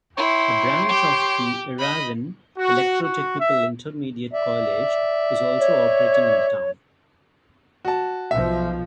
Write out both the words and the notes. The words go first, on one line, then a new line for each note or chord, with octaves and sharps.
A branch of the Yerevan electro-technical intermediate college is also operating in the town.
E4 C#5 G5 C6
G4
D#5 B5
F#4
F#4
E5
D5 E5
C#5
F#4 A5
B1 F3 E5